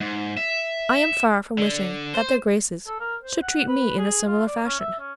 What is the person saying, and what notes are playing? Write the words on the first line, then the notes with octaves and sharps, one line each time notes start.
I am far from wishing that their Graces should treat me in a similar fashion.
G#2
E5
D3
C5
A4
A#4
C5
F#5
B4
G#4
F4
D5
C#4
E5
C#4